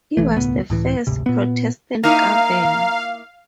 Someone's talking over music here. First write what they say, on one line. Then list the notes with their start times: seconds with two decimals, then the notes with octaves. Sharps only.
He was the first Protestant Governor.
0.17 B1 E3 A3
0.36 E1 C#2 A2 B3
0.70 C#2 A2 E3
1.07 D1 G#1 C3
1.26 A#2 B3
2.03 A#3 D#4 E4 F5 A#5